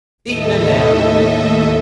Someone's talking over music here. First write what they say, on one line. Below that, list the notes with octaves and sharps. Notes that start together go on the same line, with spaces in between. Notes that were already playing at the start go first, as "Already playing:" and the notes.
"Eatin' 'n apple."
D#2 A2 A4 D#5 E5